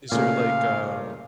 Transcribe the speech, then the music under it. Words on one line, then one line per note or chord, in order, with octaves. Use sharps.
is there like, um,
A#2 C#3 A3 F5